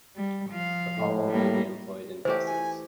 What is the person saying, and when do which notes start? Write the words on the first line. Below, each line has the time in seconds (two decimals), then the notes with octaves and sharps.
The pommel may be employed in blessings.
0.16 G3
0.50 F3 F5
0.98 A2
1.29 G3 A#3
2.25 E3 A3 G4 C5
2.46 G#5